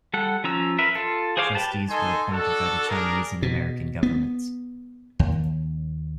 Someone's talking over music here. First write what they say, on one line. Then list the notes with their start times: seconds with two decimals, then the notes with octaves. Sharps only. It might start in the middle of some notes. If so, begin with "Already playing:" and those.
Trustees were appointed by the Chinese and American governments.
0.14 G3 A4 F#5
0.44 F3 C#4 A#5 E6
0.78 A#4 B4 E5
0.95 F4 A4
1.37 G#4 C5 C#5 F5 D6
1.55 G4 B4 A5
1.88 D#4 A4 D#5 G#5 C6
2.31 D4 F#4 A4
2.88 D4 G#4 A#4
3.42 B2
4.03 B3
5.19 D#2